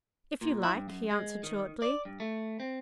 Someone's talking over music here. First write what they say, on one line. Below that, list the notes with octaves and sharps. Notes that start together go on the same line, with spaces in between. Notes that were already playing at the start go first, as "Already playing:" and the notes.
"If you like," he answered shortly.
A#2
E4
G2
F#2
G#3
D#3
D5
G2
A3
C4